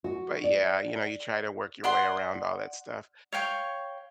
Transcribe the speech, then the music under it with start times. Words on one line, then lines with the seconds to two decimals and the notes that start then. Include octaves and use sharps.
but yeah, you know, you try to work your way around all that stuff,
0.04 F#4
0.44 D5
1.84 D5 F#5 C6
3.32 C#5 F5 G5 C#6